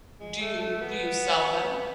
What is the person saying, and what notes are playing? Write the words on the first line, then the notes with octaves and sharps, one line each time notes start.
W do you do you sell them?
G#3
A3
A3
B3